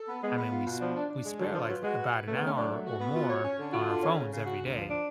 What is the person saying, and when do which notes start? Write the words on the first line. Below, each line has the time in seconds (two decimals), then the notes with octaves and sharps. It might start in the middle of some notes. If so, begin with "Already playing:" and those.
I mean, we s we spare, like, about an hour or more on our phones every day.
Already playing: A4
0.08 B3
0.23 G#3 B3
0.37 B3
0.52 F4
0.66 B2
0.81 F3 D4
0.96 D4
1.10 D4
1.24 G#3
1.39 D3 F#3
1.54 F3 F4
1.69 F#3 B4
1.83 G#3 F#4
1.98 B4
2.13 B4
2.27 C#3 A3
2.37 B3
2.42 A3 C#4
2.56 F#3 D4
2.72 A3
2.85 F#4
3.00 B3
3.15 F4 F#4
3.29 C#5
3.44 C#4
3.59 D3
3.73 F4 F#4
3.89 D3
4.03 C#4
4.17 C#3
4.32 C#3
4.46 F#4
4.61 D2
4.76 F3
4.90 D4